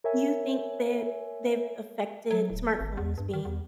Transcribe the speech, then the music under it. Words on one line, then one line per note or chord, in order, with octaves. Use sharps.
you think that they've affected smartphones being
A#4 C#5 E5 G#5
F#3
D1
G#1
E2
G2
D#3
E2